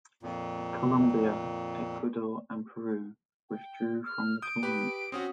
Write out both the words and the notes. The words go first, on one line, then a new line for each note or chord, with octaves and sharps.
Colombia, Ecuador, and Peru withdrew from the tournament.
F2 A#2
G5
F6
D#6 G6 D7
G4 B4
C4 C#4 F#4 D#6